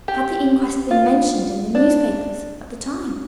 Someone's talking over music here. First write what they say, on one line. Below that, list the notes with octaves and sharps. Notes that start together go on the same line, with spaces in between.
Had the inquest been mentioned in the newspapers, at the time?
G4
F4
D4